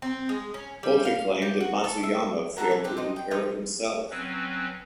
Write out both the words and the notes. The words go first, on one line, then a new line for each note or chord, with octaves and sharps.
Poulter claimed that Matsuyama failed to repair it himself.
C4
G#3
C#4
G3
F5
G4
F#4
A4
E5
A#3 F#4 A4 A#5
E3
C4 G4 B4
C4 D#4 D#5
G5
F3 G3 D#4 G5
F#3 C4 C#4 B4